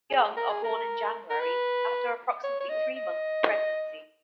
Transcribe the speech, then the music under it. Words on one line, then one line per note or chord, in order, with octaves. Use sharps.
Young are born in January after approximately three months of pregnancy.
G#4
A#4
G#4
A#4
A#4
B4
C#5
C#5
D#5
D#5